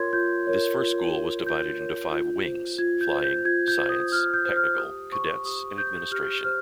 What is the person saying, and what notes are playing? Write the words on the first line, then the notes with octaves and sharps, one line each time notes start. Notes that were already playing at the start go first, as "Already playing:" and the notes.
This first school was divided into five "wings": Flying, Science, Technical, Cadets and Administration.
Already playing: F4 A#4 C#5 C6 G#6
F4 G6
A#4 C#5
F4
A#4 C#5
F4 G6
A#4 C#5
F4
C5
F4 G#6
G6
C5
G6
F4 G#6
G6
C5
D#6
F4 F6
G6
C5
F6
G4 D#6
C5 C#6
G4 D#6
C5 G6
G4 F6
C5 F6